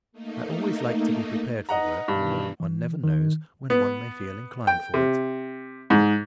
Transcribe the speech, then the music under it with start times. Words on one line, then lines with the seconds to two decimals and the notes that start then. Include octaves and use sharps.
I always like to be prepared for work; one never knows when one may feel inclined for it.
0.12 A3 A#3 D#4
1.69 D#4 B4 D#5 F#5 A#5
2.08 G2 B2 D#3 E3
2.60 E3
3.04 D#3
3.70 B3
4.67 G5
4.94 C3
5.90 G#2